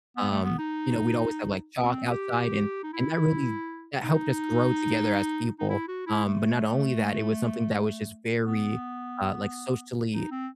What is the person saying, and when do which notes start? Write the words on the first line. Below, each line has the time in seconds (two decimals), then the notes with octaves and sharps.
Um, you know, we'd always have like chalk outside and and that really, that helped us grow together as people. Um, but not only that, it was something that was just very, uh, like socially,
0.17 B3
0.30 A3
0.44 B3
0.58 D#4
1.83 C4
2.10 G4
2.83 D#4
2.93 E4
4.03 D#4
5.59 D#4
5.69 E4
5.88 F#4
6.07 E4
6.25 A3
8.46 B3
10.13 D#4
10.31 C4